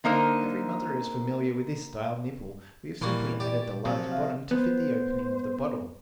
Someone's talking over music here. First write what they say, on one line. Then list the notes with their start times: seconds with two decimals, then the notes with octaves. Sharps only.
Every mother is familiar with this style nipple; we have simply added the large bottom to fit the opening of the bottle.
0.04 D3 A#3 D#4 A#4 C5
3.01 A#2 E3 G3 A#3 C6 C#6
3.40 G4 D5
3.85 C3 F3 F#3
4.12 E5 F5
4.51 B3 C5